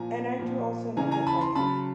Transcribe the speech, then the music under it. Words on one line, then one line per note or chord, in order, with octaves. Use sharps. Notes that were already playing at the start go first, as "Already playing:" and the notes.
And I do also know that, like,
Already playing: A#2 F3 G#5 A#5
A#2 F3
C#3 E3 G#5 A#5
G#5 A#5
A5 B5
A#5 C6
C#3 F#3 A5 B5